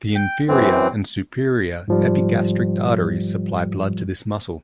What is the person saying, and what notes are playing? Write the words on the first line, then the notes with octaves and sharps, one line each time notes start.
The inferior and superior epigastric arteries supply blood to this muscle.
G5
F#2 E3 C4
G#2 F3 G3